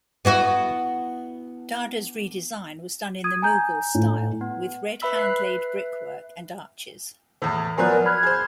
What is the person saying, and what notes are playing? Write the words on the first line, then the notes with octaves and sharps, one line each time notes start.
Dada's redesign was done in the Mughal style, with red, hand-laid brickwork and arches.
B3 E4 F#4
D#6 G#6 D#7
G#5 A#5 G6
A2
B3
B4 E5 B5 E6 B6
B4 E5 F#6 C7
E2 A2
F3 F#3 B3 A#4 D5 G#5 A#5 F#6
B5 F6 F#6 G#6
G#4 C5